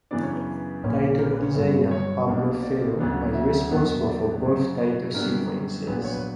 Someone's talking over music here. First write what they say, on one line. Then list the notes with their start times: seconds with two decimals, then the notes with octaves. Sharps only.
Title designer Pablo Ferro was responsible for both title sequences.
0.11 F#2 C#3 E3 B3 D4 D5
0.23 C#5
0.35 B4
0.83 A#1 A#2 A#3 C#4
1.19 A#4
1.30 B4
1.42 C#5
1.54 G1 G2 F#3 B4
1.91 C#5
2.27 B1 B2 A#3 D4
2.62 D5
2.98 D2 C#3 F#3 B3 D4
3.34 E5
3.71 E2 D3 F#3 B3
4.00 E5
4.07 D5
4.42 F#1 F#2 C#3
4.79 B4
5.14 F#2 D3 G3 B3 A#4
5.87 A#1 A#2 F#3 B3 B4
6.04 C#5
6.14 B4